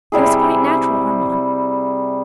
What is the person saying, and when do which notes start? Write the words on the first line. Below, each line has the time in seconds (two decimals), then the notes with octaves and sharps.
It was quite natural, Armand.
0.12 C3 G3 E4 G#4